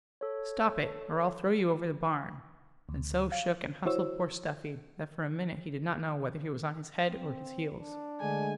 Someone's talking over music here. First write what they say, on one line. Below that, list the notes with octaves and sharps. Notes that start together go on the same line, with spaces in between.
"Stop it, or I'll throw you over the barn!" and so shook and hustled poor Stuffy that for a minute he did not know whether he was on his head or his heels.
A4 C#5
D2
F5
E4 F#4 C5 C#5 E6
C4
D4
D3 G#3 A3 G#5